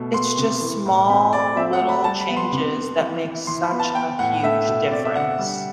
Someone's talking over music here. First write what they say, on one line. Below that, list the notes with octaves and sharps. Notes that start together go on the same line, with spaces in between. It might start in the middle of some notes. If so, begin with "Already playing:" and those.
it's just small little changes that make such a huge difference,
Already playing: B2 A3
B3 C6
C3
E3
A2
C4 B5
A3 D5
C4 E5
F#5
A3
B5
G3 A5
B5
B3
C6
C3
B3
E3
E3
E3 C6
B5
B3
A5
B3 G5
A2 F#5
A3 E5
B2
C4 D5
E5
D3 F#5
G3